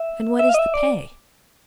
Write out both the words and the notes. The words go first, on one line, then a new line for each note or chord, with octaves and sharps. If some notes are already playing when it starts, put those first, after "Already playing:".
"And what is the pay?"
Already playing: E5
E5
F5
D#5
E5
D5